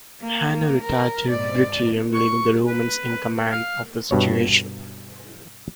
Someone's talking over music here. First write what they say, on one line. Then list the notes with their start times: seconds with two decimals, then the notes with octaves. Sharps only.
Hanno retired to Bruttium, leaving the Romans in command of the situation.
0.22 A#3
0.83 A#4
1.29 G#2 D5
2.14 C#6
2.67 B4
3.52 F5
4.11 G2 B2 C#5